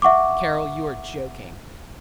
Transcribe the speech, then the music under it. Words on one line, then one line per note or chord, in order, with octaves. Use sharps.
"Carol, you are joking."
E5 F#5 C#6 D6